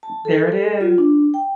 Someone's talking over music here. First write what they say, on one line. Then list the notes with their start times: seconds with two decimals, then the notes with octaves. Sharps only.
There it is.
0.03 A5
0.25 A4
0.81 F4
0.98 D4
1.34 G5